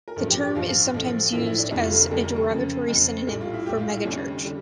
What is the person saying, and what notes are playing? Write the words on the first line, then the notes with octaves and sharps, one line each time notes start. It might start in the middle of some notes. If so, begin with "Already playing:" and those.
The term is sometimes used as a derogatory synonym for megachurch.
A#4
A1 G2 F3 A4
G4
G4
A1 G2 F3 F4
A1 A2 F3
A1 A2 F3 E4
E4
D4
F1 F2 D3 G3 E4
F4
A4
A#4
F1 F2 D3 G3 A4
A#4
A4
F2 C#3 F3
F2 C#3 F3
A#1 A2 G3
F4
E4
A#1 A2 G3 G4
F4
E4
F1 F2 D3 G3 C#4
D3 G3